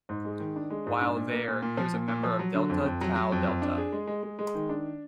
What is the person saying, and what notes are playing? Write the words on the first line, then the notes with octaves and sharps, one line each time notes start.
While there, he was a member of Delta Tau Delta.
G#2
G#3
D#3
D4
G#3
G#2
D4
A#2
A#3
A#2
A#2
F3
A#2
A#2
F3
F#3
D3
F2
F2
F#3
F#3
F2
F2
D4
G#4
G#3
G#3
G#3
G#3
D#3
D4